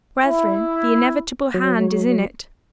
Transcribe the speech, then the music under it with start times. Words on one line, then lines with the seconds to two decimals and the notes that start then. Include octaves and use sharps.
Brethren, the inevitable hand is in it.
0.25 E4
1.54 F#3